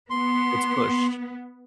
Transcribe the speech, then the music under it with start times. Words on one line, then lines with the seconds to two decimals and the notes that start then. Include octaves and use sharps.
It's pushed.
0.10 B3 C6